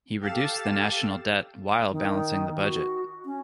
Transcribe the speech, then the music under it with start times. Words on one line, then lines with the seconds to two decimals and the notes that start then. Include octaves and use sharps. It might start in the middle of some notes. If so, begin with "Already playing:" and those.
He reduced the national debt while balancing the budget.
0.21 G4 A4 F5 A6 E7
1.91 D#3
2.59 F#4
3.25 C#4